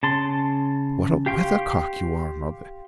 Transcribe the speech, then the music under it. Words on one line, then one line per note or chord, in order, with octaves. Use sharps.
'What a weathercock you are, mother!
C#3 A5 C6
G4 F5 G5 C6 C#6